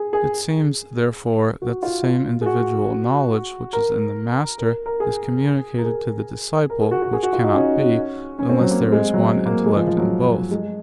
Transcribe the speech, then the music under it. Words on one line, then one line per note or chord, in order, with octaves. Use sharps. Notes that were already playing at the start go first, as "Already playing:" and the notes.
It seems, therefore, that the same individual knowledge which is in the master is communicated to the disciple; which cannot be, unless there is one intellect in both.
Already playing: G#4
G#4
F#4
F4
F4
G#4
F#4
A#4
A#4
A#4
G#4
A#4
G#4
A#4
G#4
F#4
F#4
G#4
F#4
F4
D#4
C#4
C#4
C4
F#3
A#3
C4
G#3
F#3
A#3
G#3
F3
F3
F#3
G#3